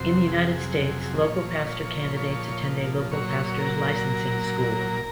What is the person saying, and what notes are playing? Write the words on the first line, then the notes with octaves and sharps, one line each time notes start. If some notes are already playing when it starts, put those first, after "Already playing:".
In the United States, Local Pastor candidates attend a Local Pastors Licensing School.
Already playing: F2 C3 F#3 C5
G#4
A#2 F3 C#5
C#5
A#2 F#3 C#5
A#4